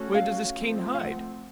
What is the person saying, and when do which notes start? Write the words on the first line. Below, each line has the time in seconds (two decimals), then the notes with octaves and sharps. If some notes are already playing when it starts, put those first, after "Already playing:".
Where does this Kane hide?
Already playing: A3 C#4 F#4 A4
0.14 F5
0.57 F3 A3 C4
0.94 F5
0.99 F#5